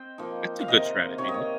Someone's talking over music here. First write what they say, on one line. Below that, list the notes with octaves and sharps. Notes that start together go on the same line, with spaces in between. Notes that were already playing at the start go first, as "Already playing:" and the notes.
That's a good strategy, yeah.
Already playing: C4 C5 D#5 G5
F3 A#3 D#4
F5
C3 D#3 A#3 D#5
C3 D#3 A#3 C#5
D#5
C#5